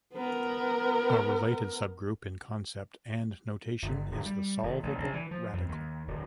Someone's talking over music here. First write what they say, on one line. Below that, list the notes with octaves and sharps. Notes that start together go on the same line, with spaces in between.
A related subgroup in concept and notation is the solvable radical.
B3 A#4
G1
D1
G3
D#1
A1
A#1
E3
F3
F2
D#2
D1